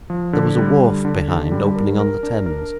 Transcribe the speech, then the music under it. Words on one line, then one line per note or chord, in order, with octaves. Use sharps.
There was a wharf behind, opening on the Thames.
F3
D3
G3
D3
D3
D3
G3
A#4
A#4
D4
A#4